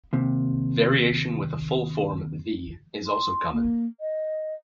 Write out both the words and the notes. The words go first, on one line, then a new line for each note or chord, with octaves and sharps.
Variation with a full form "the" is also common.
D#2 C3
C6
A#3
D#5